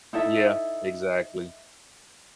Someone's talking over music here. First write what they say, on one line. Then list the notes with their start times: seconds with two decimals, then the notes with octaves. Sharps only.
Yeah, exactly.
0.13 D#4 E4 A4 E5